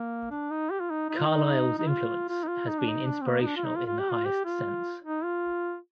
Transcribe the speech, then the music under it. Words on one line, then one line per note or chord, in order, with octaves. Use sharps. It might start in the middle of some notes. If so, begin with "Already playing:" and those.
Carlyle's influence has been inspirational in the highest sense.
Already playing: A#3
D4
D#4
G4
F4
D#4
D#4
F4
D#4
D#4
F4
F4
D#4
F4
D#4
D4
D#4
D4
C4
A#3
D#4
D4
F4
D#4
F4
F4
G4
F4
G4
F4
D#4
F4